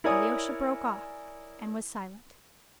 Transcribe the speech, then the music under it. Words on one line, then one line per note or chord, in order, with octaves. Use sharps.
Alyosha broke off and was silent.
E4 A#4 C#5 D5 G#5 D#6